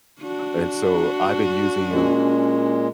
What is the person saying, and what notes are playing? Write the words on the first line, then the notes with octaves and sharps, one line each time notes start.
And so, I’ve been using ’em
D4 F#4
A#2 G#3 C#4